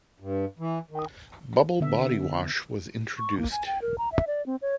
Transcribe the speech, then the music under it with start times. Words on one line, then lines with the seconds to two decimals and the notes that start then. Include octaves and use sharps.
Bubble Body Wash was introduced.
0.20 G2
0.59 E3
0.91 D#3
1.80 D3 B3 E5
3.18 C#6
3.38 A#3
3.52 G#5
3.67 G5
3.82 A#4
3.98 A#5
4.12 E5
4.27 D5
4.46 C4
4.62 C#5